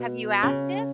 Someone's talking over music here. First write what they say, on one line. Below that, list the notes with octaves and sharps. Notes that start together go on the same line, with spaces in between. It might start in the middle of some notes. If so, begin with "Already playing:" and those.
Have you asked him?
Already playing: B2
C#3